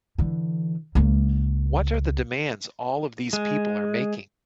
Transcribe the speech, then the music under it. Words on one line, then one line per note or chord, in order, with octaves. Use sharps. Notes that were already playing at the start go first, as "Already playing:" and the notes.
What are the demands all of these people are making?
D3 E3
C#2 A#3
G#3